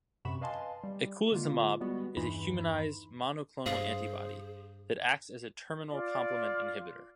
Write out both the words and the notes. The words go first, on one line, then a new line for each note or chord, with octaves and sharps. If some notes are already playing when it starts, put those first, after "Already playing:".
Eculizumab is a humanized monoclonal antibody that acts as a terminal complement inhibitor.
F#2 C3 F#5 B5 C#6 E7
B4 D#5 F5 G#5 A5 C6
G3
D3 G#3 A#3 F4
G3 G#3 B3 F#4
E2 G2 E3 D#4 B5 C6
G2 G#4 C5 F5 C7
F4 D5